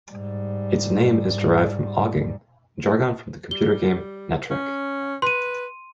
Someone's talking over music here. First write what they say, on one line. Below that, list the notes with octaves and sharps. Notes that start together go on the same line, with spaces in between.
Its name is derived from "ogging", jargon from the computer game "Netrek".
G#2 G3
G3 G7
C#4
B4 C6 D#7